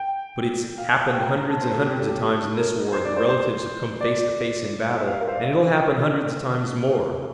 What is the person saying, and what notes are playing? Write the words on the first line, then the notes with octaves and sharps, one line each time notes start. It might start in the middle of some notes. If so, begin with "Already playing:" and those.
But it's happened hundreds and hundreds of times in this war that relatives have come face to face in battle, and it'll happen hundreds of times more.
Already playing: G5
F5
G5
A#5
A#5
A5
C5
A4
G4
A4
G4
A4
A#4
C5
D5
C5
C5
D5
E5
F5
A#4
C5
D5
E5